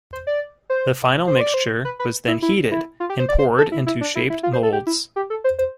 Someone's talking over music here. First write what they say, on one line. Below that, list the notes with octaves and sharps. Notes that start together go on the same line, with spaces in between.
The final mixture was then heated and poured into shaped molds.
C5
D5
C5
C5
D5
C5
B4
B4
E4
E4
E4
F4
G4
C5
D5
C5
A4
E4
E4
D4
E4
E4
F4
C5
A4
G4
E4
G4
A4
C5
C5